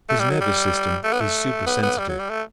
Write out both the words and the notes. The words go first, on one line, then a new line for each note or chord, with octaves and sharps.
His nervous system is supersensitive.
A3
G3
F#3
G3
A3
B3
A3
B3
B3
G3
F#3
G3
A3